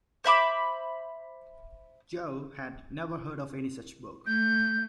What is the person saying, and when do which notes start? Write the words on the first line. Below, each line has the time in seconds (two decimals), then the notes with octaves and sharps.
Jo had never heard of any such book.
0.24 C5 E5 B5 D6
4.26 A3 G6